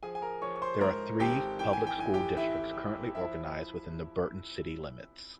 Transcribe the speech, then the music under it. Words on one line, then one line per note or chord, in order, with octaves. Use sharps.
There are three public school districts currently organized within the Burton city limits.
F3 G#4 G#5
G#5
A#4 A#5
F3 C#5 C#6
C#6
C5 C6
G#2 A#4 A#5
G#1 G4 G5
E3 G5
G#5
G5
E3 G#5
G4 G5
E3 E4 E5
E3
F3 E4 E5